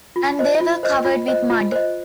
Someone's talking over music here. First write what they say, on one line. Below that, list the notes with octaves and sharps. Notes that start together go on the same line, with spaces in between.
And they were covered with mud.
F4
C5 D#5
F4
C5 D#5
F4
C5 D#5
F4
C5 D#5